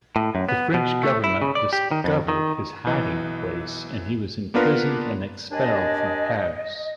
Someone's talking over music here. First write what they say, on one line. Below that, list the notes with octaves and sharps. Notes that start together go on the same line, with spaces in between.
The French government discovered his hiding-place, and he was imprisoned and expelled from Paris.
A2
F#2
B3
B2
A3
E4
C#3
D5
G4
D#3
F2
D#3
B1 E3 D#5
A#3 B3 D4 F4 A#4 B4
D#2 D4 D#5 G#5